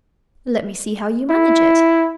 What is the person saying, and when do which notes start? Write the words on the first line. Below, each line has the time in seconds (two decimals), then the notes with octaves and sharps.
'Let me see how you manage it.'
1.30 E4